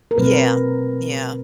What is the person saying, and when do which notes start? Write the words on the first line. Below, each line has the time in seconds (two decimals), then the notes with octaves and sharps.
Yeah, yeah.
0.11 A#4
0.18 B2 F#3 A3 C4 B4